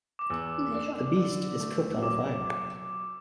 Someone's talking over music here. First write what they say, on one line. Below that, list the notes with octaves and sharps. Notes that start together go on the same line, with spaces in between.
The beast is cooked on a fire.
D6
E2 E6
D4
D3
A3
F#3 D6